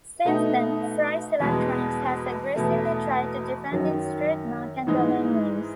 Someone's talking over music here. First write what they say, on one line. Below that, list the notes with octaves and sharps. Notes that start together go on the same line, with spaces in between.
Since then, Fry's Electronics has aggressively tried to defend its trademark and domain names.
B2 A3 D#4
E2 B2 G#3
E2 B2 A3
F#2 D#3 F#3
G#2 E3 G#3 D#4